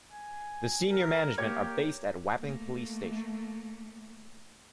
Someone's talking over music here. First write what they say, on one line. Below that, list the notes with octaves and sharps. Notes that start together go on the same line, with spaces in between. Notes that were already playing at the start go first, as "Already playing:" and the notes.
The senior management are based at Wapping police station.
G#5
A#4
A#3 G4 C#5 G#6
A3 A#3